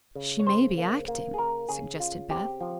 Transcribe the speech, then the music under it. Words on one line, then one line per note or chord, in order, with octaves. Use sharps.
"She may be acting," suggested Beth.
C#3
C#5
C#3 C5
A#3
A#3
G#4
C#3 A#4
C#3 G#4
C#3 F4
C4 G4
F3